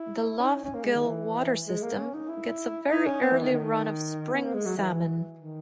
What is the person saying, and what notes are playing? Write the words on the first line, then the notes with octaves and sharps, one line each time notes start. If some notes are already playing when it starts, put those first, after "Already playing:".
The Lough Gill water system gets a very early run of spring salmon.
Already playing: E4
C#4
D#4
C#4
C#4
A#3
G#3
D#3
E3
G#3
A#3
C#4
D#4
E4
D#4
C#4
B3
E3
D#3
D#3
B3
A#3
G#3
F#3
E3
D#3